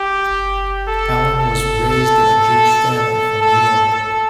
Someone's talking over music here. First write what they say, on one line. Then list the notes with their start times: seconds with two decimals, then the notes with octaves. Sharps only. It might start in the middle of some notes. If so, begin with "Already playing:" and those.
Ellin was raised in a Jewish family from New York.
Already playing: G4
0.87 A4
1.39 A4
1.89 A4
2.40 A4
2.91 A4
3.42 A4
3.93 A4